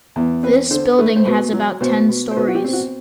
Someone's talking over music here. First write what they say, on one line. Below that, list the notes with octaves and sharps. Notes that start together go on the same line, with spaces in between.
This building has about ten storeys.
E2
C4 B4
D3 C5
A3 B4
C5
B2 B4
F#3
B2 C5
B2
C5
B2 B4
F#4
G4
C4
F#4